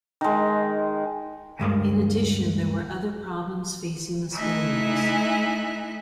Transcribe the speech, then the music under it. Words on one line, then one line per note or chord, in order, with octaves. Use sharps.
In addition there were other problems facing the Spaniards.
D#3 G#3
D2 G2 G#3 A#3
A3 D#4 E4 E5 G#5 F#6